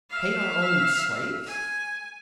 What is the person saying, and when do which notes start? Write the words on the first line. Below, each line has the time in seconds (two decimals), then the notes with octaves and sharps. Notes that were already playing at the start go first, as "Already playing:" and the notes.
"Pay our own slaves?"
0.10 E5 F5
1.47 G#5